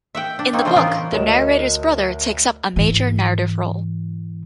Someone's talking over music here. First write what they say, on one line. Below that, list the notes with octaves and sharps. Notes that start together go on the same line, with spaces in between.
In the book, the narrator's brother takes up a major narrative role.
E5 F#5 G5
D4
A#3 C4 D#4 F#4 G#5
C#3 F3 G3 D4 A#4 C5
E3 F#3 B3 F4 A#4
A2
D2 A#4 C#5 D#5 E7
G#2 E3